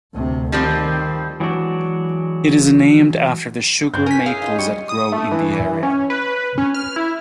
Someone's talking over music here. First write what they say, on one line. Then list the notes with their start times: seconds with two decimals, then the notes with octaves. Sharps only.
It is named after the sugar maples that grow in the area.
0.14 D2 C3
0.52 D#3 F3 G3 C4
1.40 E3 F#3 G#3 D4 F#4
3.94 G2 C4 F#5 G6
4.06 C#4 A#4 G#5 B6
4.26 E4 G#4 B4 F5
4.42 D#4 F4
4.58 G3 G#3 F4 G#5 C#6
4.89 D#6
5.12 A3
5.32 E3
5.83 C#4
6.10 B4
6.58 C#4
6.74 F6
6.96 E4